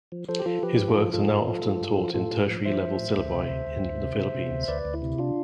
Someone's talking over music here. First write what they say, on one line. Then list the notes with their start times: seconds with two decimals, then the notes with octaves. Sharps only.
His works are now often taught in tertiary-level-syllabi in the Philippines.
0.12 F3
0.29 F3 A4 C5
0.39 G4
0.46 F3 F4 A4
0.63 F3 G4 B4
0.79 G2
0.88 F4 A4
0.96 F3
1.13 G2 F4 A4
1.31 G2
1.48 F3
1.64 F3
1.81 G2
1.98 F3
2.14 A2 F4 A4
2.32 A2
2.48 F3
2.66 F3 C5 E5
2.83 F3
2.99 A2
3.17 D2
3.33 C3
3.50 D2
3.67 D2
3.84 D2
4.01 C3
4.18 C3
4.35 C3
4.51 D2
4.68 D2 B4 D5
4.85 D2
4.94 E4
5.02 C3
5.19 D4 F4